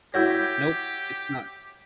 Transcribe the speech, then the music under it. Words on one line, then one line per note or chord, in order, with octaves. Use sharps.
Nope, it's not.
E4 F#4 G4 C#5 G6 G#6 A#6